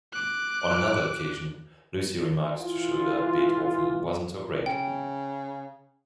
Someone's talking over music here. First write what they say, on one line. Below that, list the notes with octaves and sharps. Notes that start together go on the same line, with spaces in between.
On another occasion, Lucy remarks to Schroeder Beethoven wasn't so great.
D6 F#6
E3 F4
C#3 G5